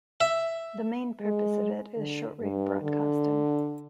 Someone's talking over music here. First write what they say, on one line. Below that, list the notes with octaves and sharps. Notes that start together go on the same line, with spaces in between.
The main purpose of it is shortwave broadcasting.
E5
G#3
D3
G2
D3